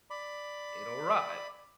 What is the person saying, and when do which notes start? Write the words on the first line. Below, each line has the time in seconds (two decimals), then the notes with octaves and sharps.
It'll rot
0.10 D5 B5